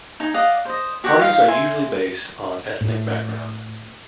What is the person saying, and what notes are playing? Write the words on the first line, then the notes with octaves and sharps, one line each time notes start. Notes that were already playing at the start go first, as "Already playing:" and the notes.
Parties are usually based on ethnic background.
D#4 G#5
D5 D#5 F5 F#5
C5 D#5
F#4 G4 C5 F#5
D#4 F4 F5
E5 G#5 C6
A2